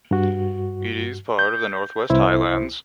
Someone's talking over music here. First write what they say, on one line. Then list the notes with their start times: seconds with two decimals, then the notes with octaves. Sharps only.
It is part of the Northwest Highlands.
0.11 G2 F#4
1.39 G6
2.10 C2 E4 C5